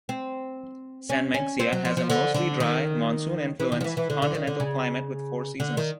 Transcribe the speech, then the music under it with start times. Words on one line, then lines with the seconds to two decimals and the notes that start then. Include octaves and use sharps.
Sanmenxia has a mostly dry, monsoon-influenced continental climate with four seasons.
0.09 C4
1.10 C#4
1.34 C#4
1.59 C4
1.72 F#3
1.85 F3
1.97 F3
2.10 D3
2.34 D3
2.60 D#3
3.60 E3
3.72 D#3
3.81 F3
3.84 E3
3.97 E3
4.10 D3
4.22 D3
4.35 D#3
4.47 D3
4.60 C#3
5.60 D3
5.77 D#3